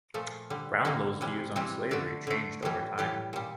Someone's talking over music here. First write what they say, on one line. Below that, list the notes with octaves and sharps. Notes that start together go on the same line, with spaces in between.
Brownlow's views on slavery changed over time.
A#2 F3 A3
D3 G3
D3 G3 A#3
C3 E3 G3
C3 E3 G3 C4
D3 A3 D4
D3 A3
A2 E3 G3
A2 E3 G3 G4
A#2 G3